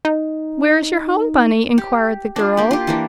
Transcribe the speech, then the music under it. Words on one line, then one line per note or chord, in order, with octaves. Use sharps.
"Where is your home, bunny?" enquired the girl.
D#4
G4
D4 F4
A#3 G4
F4 G4
E3 A#3 D4